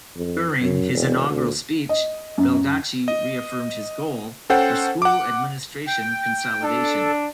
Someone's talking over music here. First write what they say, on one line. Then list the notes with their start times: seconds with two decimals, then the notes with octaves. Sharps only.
During his inaugural speech, Baldacci reaffirmed his goal for school administration consolidation.
0.16 F2
0.61 F#2
0.94 E1
1.29 D2
1.89 D#5
2.38 F#2
3.08 D#5
4.50 C#4 A4 C5 F#5 G5
5.02 F#5 D6
5.87 G5
6.63 D4 A4